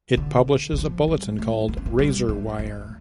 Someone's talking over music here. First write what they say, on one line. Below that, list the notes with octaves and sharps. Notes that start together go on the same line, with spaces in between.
It publishes a bulletin called "Razor Wire".
D3
E3
F3
G3
A3
A#3
C#4
A#3
G3
A3
A3